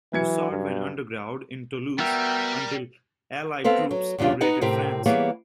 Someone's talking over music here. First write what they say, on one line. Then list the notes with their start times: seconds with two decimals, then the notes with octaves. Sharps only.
Dissard went underground in Toulouse until Allied troops liberated France.
0.13 E3 F#3 G#6 C#7
0.51 G2
1.99 G3 B3 F#4 A#4 E5 G5
3.64 B3 C4 A4 F5
3.91 F#3
4.18 E2 C#3 G3 D4 F4
4.41 D#4 B4 D#5 F#5
4.61 A2 C3 C4 G4 A#4
5.06 E3 G3 A#3 B3 G#4 C#5